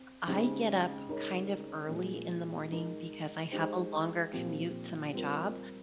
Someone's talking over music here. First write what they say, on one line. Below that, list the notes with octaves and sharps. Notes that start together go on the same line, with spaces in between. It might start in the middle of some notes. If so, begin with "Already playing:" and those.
I get up kind of early in the morning because I have a longer commute to my job,
Already playing: C4
C#3 G#3 C4 D#4 G4
C#3 G#3 D#4 A#4 C#5
A#2 F3 G#3
G#3 D#4 A#4
G#3 D#4 G4 C5
A#2 F3 C4 G4
G3 C4 F4 A#4